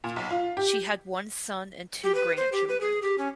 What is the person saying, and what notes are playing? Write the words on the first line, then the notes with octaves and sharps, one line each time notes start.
She had one son and two grandchildren.
A#2
B1
F4
G4
G4
B4
C5
G4
B4
G#4
G4
C#4